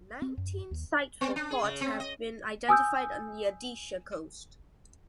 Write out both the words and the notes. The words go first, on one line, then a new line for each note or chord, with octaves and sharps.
Nineteen sites for ports have been identified on the Odisha coast.
C4
F#2
D#2
B3
D4
G#4
C#3
C4
D#5
G#5 D#6 E6 G6